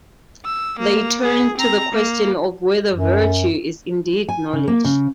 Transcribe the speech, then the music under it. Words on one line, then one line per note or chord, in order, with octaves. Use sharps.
They turn to the question of whether virtue is indeed knowledge.
E6
A#3
G#4
C4 A#5
A#3
F#2
G#5
C#3
A#3
C#3